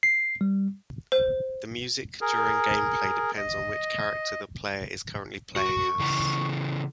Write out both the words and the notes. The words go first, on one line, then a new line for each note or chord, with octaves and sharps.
The music during gameplay depends on which character the player is currently playing as.
C7
G3
C5
G#4 A#4
D#5
F#4 C#6
C#3 E3 A#5